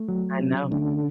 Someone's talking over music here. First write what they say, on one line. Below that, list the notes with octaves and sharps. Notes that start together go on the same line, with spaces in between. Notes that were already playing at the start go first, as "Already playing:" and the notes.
I know.
Already playing: A3
F#3
C#4
D3 A3